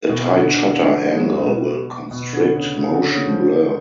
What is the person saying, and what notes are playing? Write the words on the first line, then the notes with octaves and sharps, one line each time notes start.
A tight shutter angle will constrict motion blur.
B2
D3
D3
D3
F3
G#3
F#3
C#3
B2
B2
D3
C#3
C#3
D3
C#3
F3